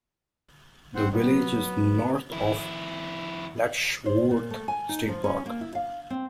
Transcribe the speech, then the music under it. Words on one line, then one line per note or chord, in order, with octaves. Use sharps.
The village is north of Letchworth State Park.
A1 C4 C5 F#5
A#2 F3 G3 B3
F#3
F2 E4
C5
A#2
A3
G#5
D#4
F3
C#4
A#3
E4
F5
C4